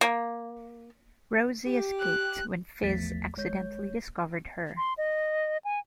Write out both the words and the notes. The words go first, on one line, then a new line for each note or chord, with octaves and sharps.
Rosie escaped when Fiz accidentally discovered her.
A#3
G4
F#6
A1 E2 F3 A3 A6 B6
G1 G#3 C#5 G6
C6
D#5
G#5